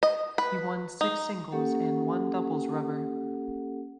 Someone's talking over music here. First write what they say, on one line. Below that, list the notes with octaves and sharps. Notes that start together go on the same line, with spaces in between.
He won six singles and one doubles rubber.
D#5
B4
D#4
A#3 C#4 G4 A4 F#5